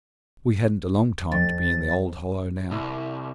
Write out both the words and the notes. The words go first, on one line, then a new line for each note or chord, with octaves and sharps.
We hadn't a long time to be in the old Hollow now.
F2 A6
C2